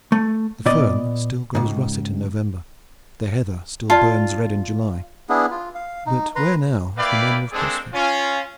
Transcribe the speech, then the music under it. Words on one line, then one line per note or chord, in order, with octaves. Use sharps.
The fern still glows russet in November, the heather still burns red in July; but where now is the Manor of Cosford?
A3
A#2 B3 D5 D#5
C#2 G#2
F4 D5 A5
B3 D4 E4 G#4
F4
F5
D#4
B4 A#5 C6
A#3 E4 B4 D5 F5 G5
G#3 A#3 C4 D4 G#4 A4
C#4 F4